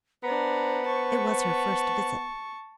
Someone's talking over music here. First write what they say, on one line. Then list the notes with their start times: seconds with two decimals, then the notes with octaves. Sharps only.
It was her first visit.
0.24 B3 D4 C5 A#5
0.86 A5 C#6